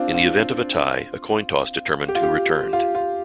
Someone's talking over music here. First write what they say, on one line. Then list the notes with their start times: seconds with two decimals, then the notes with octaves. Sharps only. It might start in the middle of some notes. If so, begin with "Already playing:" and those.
In the event of a tie, a coin toss determined who returned.
Already playing: C4 D4 F4
0.14 F4
2.09 G4
2.15 F4
2.23 G4
2.73 F4
2.95 F4